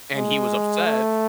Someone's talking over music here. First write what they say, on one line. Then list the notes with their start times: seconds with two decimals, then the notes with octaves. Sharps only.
and he was upset
0.14 G#3
0.86 A3